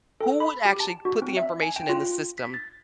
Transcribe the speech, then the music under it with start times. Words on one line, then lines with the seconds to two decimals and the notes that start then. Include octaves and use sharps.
Who would actually put the information in the system,
0.21 A4
0.40 B5
0.65 G4
0.80 A5
1.05 F#4
1.22 C4
1.37 E5
1.62 G#5
1.76 G5
1.89 F4
2.38 B6
2.54 A6